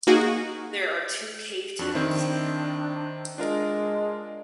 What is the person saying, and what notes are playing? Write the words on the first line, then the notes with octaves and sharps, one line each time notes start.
There are two cave temples here.
A#3 D#4 F#4 G#4
F2 D4 F#4
D#3 C4 D4 E4
G#3 D4 F4 A#4